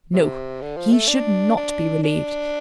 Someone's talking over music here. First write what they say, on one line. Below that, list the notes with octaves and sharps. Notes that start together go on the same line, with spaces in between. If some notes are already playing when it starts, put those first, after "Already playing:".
No! he should not be relieved.
C3
D3
F3
A3
D4
D4
D4